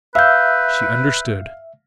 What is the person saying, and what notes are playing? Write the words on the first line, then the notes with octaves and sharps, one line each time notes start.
She understood!
B4 E5 F5 E6 G6